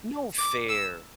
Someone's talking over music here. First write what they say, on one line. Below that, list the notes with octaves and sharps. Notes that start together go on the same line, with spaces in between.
No fair.
D6
E6